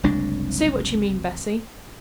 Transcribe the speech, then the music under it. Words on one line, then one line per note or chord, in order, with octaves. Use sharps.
"Say what you mean, Bessy."
F#1 C2 G#3 D4